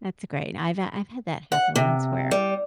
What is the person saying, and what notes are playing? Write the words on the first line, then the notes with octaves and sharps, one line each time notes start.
That's great. I've, uh, I've had that happen once where,
F#5
C3
G3